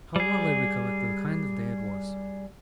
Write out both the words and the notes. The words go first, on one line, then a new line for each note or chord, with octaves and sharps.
How well I recollect the kind of day it was!
G3 G#4